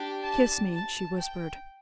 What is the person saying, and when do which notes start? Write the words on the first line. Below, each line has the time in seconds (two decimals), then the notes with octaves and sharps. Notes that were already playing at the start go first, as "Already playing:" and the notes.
"Kiss me," she whispered.
Already playing: D4 G4
0.23 A5
0.71 A5
1.18 G5